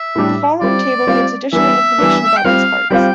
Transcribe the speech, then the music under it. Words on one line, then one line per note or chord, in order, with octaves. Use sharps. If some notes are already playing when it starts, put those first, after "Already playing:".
The following table gives additional information about these parts.
Already playing: E5
A2 G3 D4 G4
G3 C4 F4 D5
G3 C4 F4
E3 G3 B3 D4 E5
E3 G3 B3 D4
G5
G3 C4 F4 F5
G3 C4 F4 G5